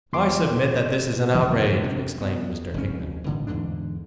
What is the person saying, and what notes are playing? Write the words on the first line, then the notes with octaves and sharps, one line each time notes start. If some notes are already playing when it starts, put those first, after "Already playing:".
"I submit that this is an outrage!" exclaimed Mr. Hickman.
E2 C6 D6
E2 C#3 F3
C3 C#4 D4
B3
F1 C#4
A2 D3 E3
E2 G#2 D3 D4